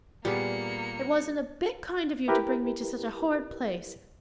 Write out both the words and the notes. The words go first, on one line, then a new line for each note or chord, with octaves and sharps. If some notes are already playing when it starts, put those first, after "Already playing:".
It wasn't a bit kind of you to bring me to such a horrid place.
A#2 G3 A#3 B3 G#4 C#7
E4 G4 A#4 B4